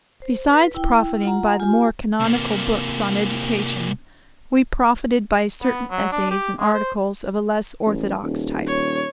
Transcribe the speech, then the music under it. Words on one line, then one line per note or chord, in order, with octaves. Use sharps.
Besides profiting by the more canonical books on education, we profited by certain essays and articles of a less orthodox type.
C5
B4
E4 G5
F4 F#5 A#5
F4 G4 G#5
C3 A#3
B3
F#3
D4
G4
G#3
C5
A1
D#1
C#5